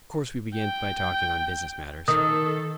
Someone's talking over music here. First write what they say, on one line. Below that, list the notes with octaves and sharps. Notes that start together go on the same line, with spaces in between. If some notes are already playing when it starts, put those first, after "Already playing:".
Of course, we began by talking on business matters.
G5
D#3 A4 D#6